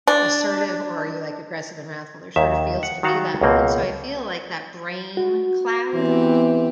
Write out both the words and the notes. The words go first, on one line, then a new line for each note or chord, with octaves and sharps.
assertive or are you, like, aggressive and wrathful? There sort of feels to be that. And so I feel like that brain cloud,
D4
D#2 D#3 E5
F#5
D#3 F#3 F#4 F5 F#5 A5
C#2 B2 A#3 C4
F#4
E3 B3 C4 G4